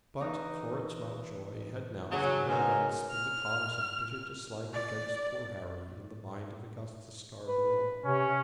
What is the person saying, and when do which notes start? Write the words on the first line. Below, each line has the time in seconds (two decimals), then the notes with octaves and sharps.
But Florence Mountjoy had now for many months been the cause of bitter dislike against poor Harry in the mind of Augustus Scarborough.
0.21 E3 D#4
2.11 C#3 F#3 D4 G#4
2.48 G#2 B2 A#4 G#5 F6
3.11 F6
4.73 D5
7.46 B4
8.04 C3 C#4